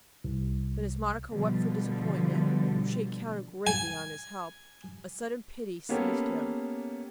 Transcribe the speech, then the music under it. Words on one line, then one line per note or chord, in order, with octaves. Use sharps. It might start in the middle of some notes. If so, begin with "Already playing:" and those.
Then, as Monica wept for disappointment--for she had counted greatly on his help--a sudden pity seized him.
C2
B2 D3 F3 G3
G#5
A#3 B3 C#4 G4 A4